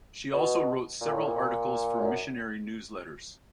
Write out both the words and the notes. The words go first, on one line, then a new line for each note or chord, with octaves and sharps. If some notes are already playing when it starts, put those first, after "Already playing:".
She also wrote several articles for missionary newsletters.
B2
A#2
A2
A#2
F#2